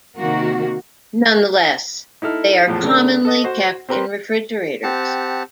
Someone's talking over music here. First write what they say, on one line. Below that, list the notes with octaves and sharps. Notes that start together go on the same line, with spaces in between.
Nonetheless, they are commonly kept in refrigerators.
C3 D#3 A#3 F#4
D#4 E4 A4 F6
E2 A2 F3
C#3 A3 D4 A#4
A4 D#5
F#4 C5
C4 G4 A#4 B4 B5 C6
C4 G4 F#5 A5